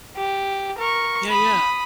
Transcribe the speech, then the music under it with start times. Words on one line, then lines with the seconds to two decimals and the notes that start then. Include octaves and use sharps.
Yeah, yeah.
0.16 G4
0.79 A#4 C#6
1.30 B5 D#6